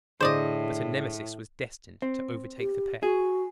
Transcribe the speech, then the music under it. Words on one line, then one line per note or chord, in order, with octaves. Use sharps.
But a nemesis was destined to overtake the pair.
A2 D3 G#4 C5 D5 D#5
C4
G4
F#4 G#4